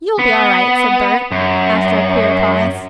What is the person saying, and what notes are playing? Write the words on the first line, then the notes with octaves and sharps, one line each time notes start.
"You'll be all right," said Bert, after a queer pause.
B3
F#2